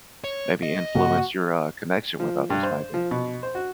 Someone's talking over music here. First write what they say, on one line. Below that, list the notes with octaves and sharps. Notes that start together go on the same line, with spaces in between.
maybe influence your, uh, connection with others maybe?
C#5
D#5
G2 C#3 A#3 F#4
F3
G2
C5
F3
B2
C5
F#4